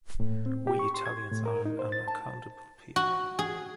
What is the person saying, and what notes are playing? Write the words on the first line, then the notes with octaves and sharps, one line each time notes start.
We Italians are an unaccountable people.
A2
C4
G4
C#6
C6
G#6
A2
A#4
D#4
C5
A6
A5
F#4
G#4